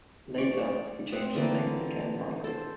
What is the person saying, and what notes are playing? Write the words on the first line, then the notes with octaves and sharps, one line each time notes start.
Later, he changed his name to Kenn Michael.
D5 C#6
B3 C4 F#5
D3 E3 A#3 C4
A4 C5